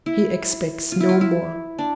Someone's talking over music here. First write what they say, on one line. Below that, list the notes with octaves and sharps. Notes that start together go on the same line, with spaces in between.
"He expects no more."
E4
F4
E4
F4
E4
D4